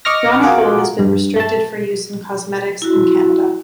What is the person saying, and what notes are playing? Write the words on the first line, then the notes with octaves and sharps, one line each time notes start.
Bronopol has been restricted for use in cosmetics in Canada.
D#5 C#6 D6 F6 A#6
F4 F#4 G#4 A#4 F#5 D6
G2
A3 A5
E4 F#4